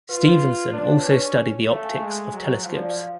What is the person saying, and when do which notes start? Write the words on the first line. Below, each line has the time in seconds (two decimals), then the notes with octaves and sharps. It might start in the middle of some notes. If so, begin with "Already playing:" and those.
Steavenson also studied the optics of telescopes.
0.09 F4 B4
0.73 D4 D5
0.87 C#5
1.00 B4
1.05 C#4
1.14 C#5
1.69 A3 F5
1.85 G#5
2.00 G#3 G#5
2.32 F#3
2.64 F3 F5
2.77 D5
2.90 F5